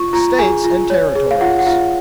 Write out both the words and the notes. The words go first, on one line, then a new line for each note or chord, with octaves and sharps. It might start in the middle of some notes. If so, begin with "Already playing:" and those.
States and Territories.
Already playing: F4 C#6
F4 A#5
G#4 G#5
F4
C#5
G#4
F5
F4 F#5
F#5
F4 F5